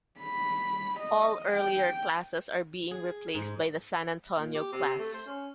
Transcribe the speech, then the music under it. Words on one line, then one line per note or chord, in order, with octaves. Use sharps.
All earlier classes are being replaced by the "San Antonio" class.
B5
D#5
G5
G#4
G#2
A#2
G4
C3
A3
C5
C#4